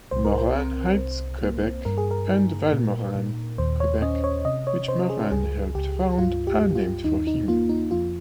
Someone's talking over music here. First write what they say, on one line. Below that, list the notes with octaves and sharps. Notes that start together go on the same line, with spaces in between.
Morin-Heights, Quebec and Val-Morin, Quebec, which Morin help found, are named for him.
C2 C5
A#4
C5
C4
C2
A#3
G2 A#4
G#4
A#4
D#4
A#2
A#2
D#2 C5
C#5
C#4 D#5
C#5
C3 D#5
C#5
C3 C5
G#4
C#2 G#4
C#2 G4
G2 F4
G4
G2
F4
D#2 D#4
D#4
A#3 F4
D#4
F2 F4